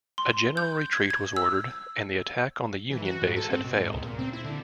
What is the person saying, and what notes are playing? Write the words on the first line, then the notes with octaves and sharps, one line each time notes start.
A general retreat was ordered, and the attack on the Union base had failed.
C6
G6
G#6
G#6
E6
E3
F#4
G#2
A4
C4
B2
G#2
C#2
A#2
C4
E4
D3